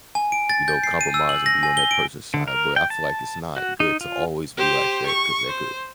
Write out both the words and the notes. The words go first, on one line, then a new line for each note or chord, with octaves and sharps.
you know, compromise and be on that person's side, but I feel like it's not good to always be like that 'cause that could
G#5
D7
A6
G6
C7
D#7
E6
F#7
A#6
G#5
G7
D7
D3
A#4
G5
A5
F#4
D#4
F4
G4 C5
C#6
C5